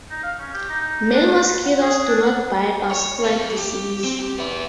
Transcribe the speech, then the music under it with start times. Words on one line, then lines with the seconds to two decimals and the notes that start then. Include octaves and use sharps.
Male mosquitoes do not bite or spread disease.
0.10 D#4
0.23 F5
0.39 C#4
0.54 G4
0.69 D#4
1.13 D4
1.34 B4
1.64 F#5
1.81 G#4
2.07 D4
2.22 F#5
2.91 C#5
3.24 A4 F5
3.57 G4
4.04 C4
4.19 G4
4.38 B3 E4